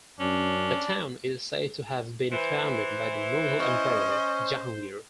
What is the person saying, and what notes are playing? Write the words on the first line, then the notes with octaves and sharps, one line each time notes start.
The town is said to have been founded by the Mughal emperor Jahangir.
F#2 C#4 D4
E3 C5
C#4 D#5